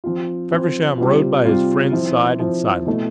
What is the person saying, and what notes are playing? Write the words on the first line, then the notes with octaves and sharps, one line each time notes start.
Feversham rode by his friend's side in silence.
F3 C4 F4
F3 C4 F4
C3 G3 C4 F4
C3 G3 C4 F4
F3 C4 E4
F3 C4 E4
B2 A3 E4